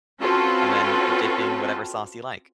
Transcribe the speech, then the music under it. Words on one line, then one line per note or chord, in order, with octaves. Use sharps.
And then dip in whatever sauce you like.
C4 C#4 F4 F#4 A4 B4